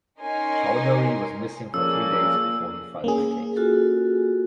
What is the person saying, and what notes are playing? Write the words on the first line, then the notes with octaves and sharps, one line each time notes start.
Chowdhury was missing for three days before he filed the case.
C#4 D#4 A#4 G#5 C6
F3 A#3 C#4 G#4 A4 D5 E6
A#3 C#4 G#4
F4 F#4 A4